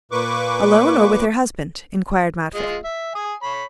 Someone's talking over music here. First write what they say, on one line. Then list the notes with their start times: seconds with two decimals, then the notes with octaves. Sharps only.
"Alone, or with her husband?" inquired Matvey.
0.12 A#2 A#3 B4 C#6 D6
2.55 G#3 F4 D#5
2.85 E5
3.15 G#5 D#6
3.43 C#5 B5